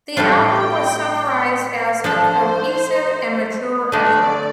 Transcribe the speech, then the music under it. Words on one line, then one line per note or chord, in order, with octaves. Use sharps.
The album was summarised as "a cohesive and mature effort".
A2 G3 D4 F4 G5
F3 D4 A4 C5
D3 A3 D4 D5